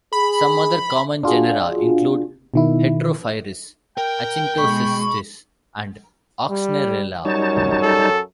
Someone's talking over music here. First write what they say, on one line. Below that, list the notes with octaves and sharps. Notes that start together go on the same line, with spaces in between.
Some other common genera include "Heterophrys", "Actinocystis", and "Oxnerella".
G#4 B5
D4 F4 F#4 G#4
B2 D#3 E4
A#4 G5
B2 G#3 B5 C#6
G3
F#2 G3 D#4 C#5 A5
A4